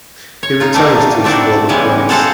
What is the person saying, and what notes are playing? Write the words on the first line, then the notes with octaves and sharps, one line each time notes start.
He retires to his former place.
C#5
D#4 F4
A3 A#3 C4 D4 D#4
A3 C4 D4 E4 F#4
C#3 E3 G3 G#3 B3
G#3 F#4 A4 C5 F5 F#5